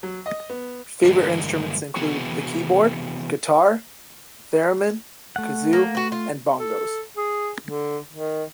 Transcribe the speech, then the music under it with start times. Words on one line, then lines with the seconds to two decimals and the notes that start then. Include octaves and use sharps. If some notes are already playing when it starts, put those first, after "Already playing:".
Favourite instruments include the keyboard, guitar, theremin, kazoo and bongos.
0.03 F#3
0.26 D#5
0.50 B3
1.03 G2 D3 E3 G#3 A#3 D4
1.96 C3 E3 B3 F#4 G#4
5.36 A3 F#5
5.73 A#3
5.95 F#4 B4
6.12 F4
6.59 A4
7.17 G#4
7.67 D3
8.13 D#3